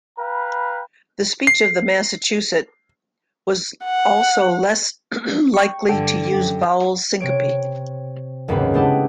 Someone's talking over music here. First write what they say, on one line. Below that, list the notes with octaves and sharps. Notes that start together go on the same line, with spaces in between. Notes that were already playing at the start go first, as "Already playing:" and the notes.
The speech of the Massachusett was also less likely to use vowel syncope.
B4 F5 G5 A#5 B5
C7
F#5
G5 C#6
G2 D3 A4 G5
F#2 G4
C3 C#5 D7
F#1 D#2 G#2 C#3 C4 B4
G#3 A3 B3 D4 E4 G4